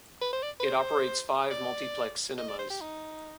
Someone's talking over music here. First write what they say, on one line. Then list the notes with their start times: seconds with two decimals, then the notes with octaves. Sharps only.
It operates five multiplex cinemas.
0.21 B4
0.33 C5
0.43 D5
0.60 B4
0.65 C5
1.51 D5
2.38 D#5
2.48 D5
2.59 C5
2.70 G4
2.81 D#4